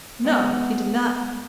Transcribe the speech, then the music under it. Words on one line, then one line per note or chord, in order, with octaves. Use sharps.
"No, he did not."
G#3 B3